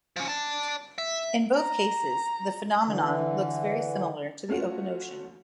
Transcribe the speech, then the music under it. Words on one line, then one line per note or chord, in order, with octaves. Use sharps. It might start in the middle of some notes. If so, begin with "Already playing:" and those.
In both cases, the phenomenon looks very similar to the open ocean.
F3 C#4
D5 A5
E5
A#5
D3 E3
A3 C#4 F4 F#4